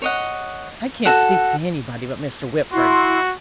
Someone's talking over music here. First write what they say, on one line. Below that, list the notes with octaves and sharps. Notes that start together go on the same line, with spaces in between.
"I can't speak to anybody but Mr. Whitford."
C#5 D#5 F#5
F#4 A4 F#5
E4 F#4 C6